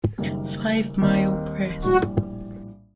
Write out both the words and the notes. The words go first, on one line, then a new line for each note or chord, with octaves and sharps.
Five Mile Press.
F#1 F#2 D#3 G3 A#3
D#2 D#3 G3 C4 D#4
A#1 A2 G3 F#4